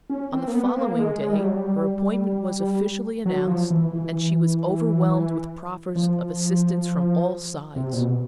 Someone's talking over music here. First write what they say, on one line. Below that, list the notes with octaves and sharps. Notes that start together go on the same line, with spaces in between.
On the following day her appointment was officially announced, and she was overwhelmed with proffers of assistance from all sides.
C#4
C4
A#3
B3
A#3
G#3
G#3
G3
F#3
G3
F#3
F3
E3
E3
F3
C3
A#2
B2